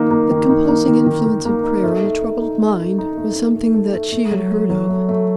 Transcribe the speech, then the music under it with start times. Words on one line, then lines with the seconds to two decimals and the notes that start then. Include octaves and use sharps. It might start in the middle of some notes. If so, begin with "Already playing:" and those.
The composing influence of prayer on a troubled mind was something that she had heard of.
Already playing: D#3 A#3 D#4
0.11 A#3
0.31 D#3
0.49 D#4
0.68 A#3
0.88 D#3
1.07 D#3
1.26 D#3
1.45 A#3
1.64 D#4
1.84 A3
2.03 A3
2.22 A3
2.41 D#4
2.60 A3
2.79 A4
2.98 D#4
3.17 A3
3.36 D#4
3.56 A3
3.74 A4
3.93 A3
4.12 A3
4.31 F#3
4.50 A3
4.70 F#3
4.89 A3
5.09 A3